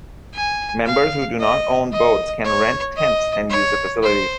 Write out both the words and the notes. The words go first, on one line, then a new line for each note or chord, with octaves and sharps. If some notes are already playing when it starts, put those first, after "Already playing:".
Members who do not own boats can rent tents and use the facilities.
G#5
F5
D#5
D#5
C#5
D#5
C#5
C5